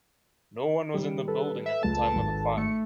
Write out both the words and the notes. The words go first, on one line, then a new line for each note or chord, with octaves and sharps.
No one was in the building at the time of the fire.
D#3 G3
A4 B4
E5
C#2 A3 A5
G#1
A3 C#7